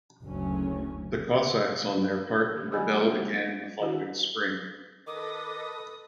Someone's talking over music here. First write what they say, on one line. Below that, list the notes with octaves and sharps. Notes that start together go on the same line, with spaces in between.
The Cossacks on their part rebelled again the following spring.
F#1 D2 F#3 C#4
D3 G4
C5 D5 D#5 F#5 G#5 B5
A#3 G4 D5 F#5
G#3 D4 F4 B4 E5 G5
D#3 D4 E4 F#4
D#3 A4 B4 D#5 D6 D#6